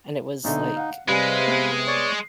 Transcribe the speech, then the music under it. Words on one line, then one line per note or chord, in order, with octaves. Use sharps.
and it was like,
B1 D3 D#4 E5
F5 F#5
C3 G3 G#3 B4 F5 G#5 B5
B3
C#5 D5 C#6